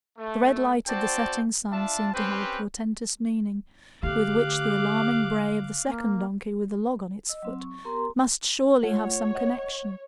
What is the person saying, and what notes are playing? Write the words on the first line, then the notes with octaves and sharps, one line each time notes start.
The red light of the setting sun seemed to have a portentous meaning, with which the alarming bray of the second donkey with the log on its foot must surely have some connection.
A3
C4 F#4 C5 D5 G5 A5
D4 F4 E5 A5
C4 C#4 G4 B4 C5
D3 A3 G4 F5 D6 F#6
A#3
D#5 E6
F#3 C4 E6
C#6
B3 G4 A#4 A#5 C6
A3 F4 C#5 F#5
D#5 F#5